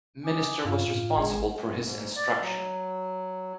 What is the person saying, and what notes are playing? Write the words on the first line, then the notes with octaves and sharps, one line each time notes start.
Minister was responsible for his instruction.
G#5 D6 D#6
G2 F4 F5
A2
G#1 G#3 G#4
G#2
D5
F#3